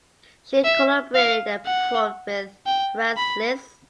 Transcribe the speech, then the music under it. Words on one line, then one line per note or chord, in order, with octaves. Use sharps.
She collaborated and performed with Franz Liszt.
E5
F5
F#5
G5
B5